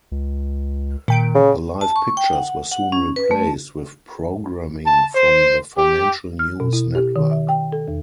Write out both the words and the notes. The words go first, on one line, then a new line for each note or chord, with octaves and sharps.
The live pictures were soon replaced with programming from the Financial News Network.
C#2
A#2 D#3 G5 D7
C#3
A5
C#6
G5
F#5
F#5
C#4
B4
A3
A5
C5
G4
F6
B2
E4
G4
D#3
E5
G5
A4
E2